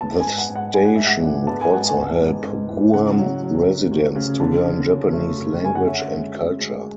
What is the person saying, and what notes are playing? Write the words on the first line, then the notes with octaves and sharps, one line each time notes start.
The station would also help Guam residents to learn Japanese language and culture.
B3 A5
G#5
G#2
F#5
G#2
F#5
D4 G#5
F#5
G#2 E5
F#5
D4
B3 A5
G#5
G#2 F#5
G#5
B3
G#2
G#2
E4
C#3 F#5
F#3
F#3
F#3
D2
C#3
D3 A5
D3
C#4
A3
F#2
D3 G#5
F#5
C#4 E5
G#3
F#4
G#3